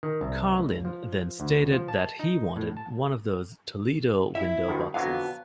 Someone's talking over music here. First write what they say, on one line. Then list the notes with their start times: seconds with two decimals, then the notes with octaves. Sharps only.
Carlin then stated that he wanted one of those Toledo Window Boxes.
0.03 D#3
0.21 C2
0.58 C#2
0.85 F3
1.40 D2
1.72 F3
1.88 A5
2.19 D#4
2.56 A2
2.77 A5
4.35 E4 E5
4.67 D2 G2 D#3
4.94 F2 D3 F#3 B3 F5